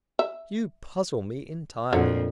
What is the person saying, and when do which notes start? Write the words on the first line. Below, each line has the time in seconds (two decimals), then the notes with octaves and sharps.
"You puzzle me entirely."
0.19 E5
1.93 F2 A#2 D3 F#3